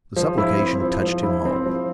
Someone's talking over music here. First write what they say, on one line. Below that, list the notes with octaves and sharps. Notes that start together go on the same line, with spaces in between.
The supplication touched him home.
F3
E4
C4
F3
F3
E4
C4
F3